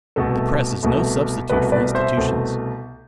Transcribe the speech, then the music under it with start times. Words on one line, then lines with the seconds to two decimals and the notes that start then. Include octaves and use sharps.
The press is no substitute for institutions.
0.16 C2 B2 A3 A4
0.83 C2 B2 A3
1.50 C2 B2 A3 B4
1.72 B4 D5
1.95 C5 E5
2.17 C2 B2 A3